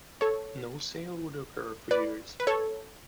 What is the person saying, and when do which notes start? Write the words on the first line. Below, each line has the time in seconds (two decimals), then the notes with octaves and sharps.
No sale would occur for years.
0.21 A4 C#5
1.91 B4 D5
2.40 B4
2.47 A4 C#5